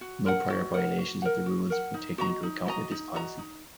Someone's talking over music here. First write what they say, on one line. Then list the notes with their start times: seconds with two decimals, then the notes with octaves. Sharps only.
No prior violations of the rules were taken into account with this policy.
0.01 F#4
0.26 A#4 F#5
0.50 F#4
0.74 A#4 F#5
0.98 F#4
1.22 A#4 F#5
1.46 F#4
1.70 A#4 F#5
1.94 D#4
2.18 F#4 D#5 A#5
2.43 D#4
2.66 F#4 D#5 A#5
2.91 D#4
3.15 F#4 D#5 A#5
3.39 D#4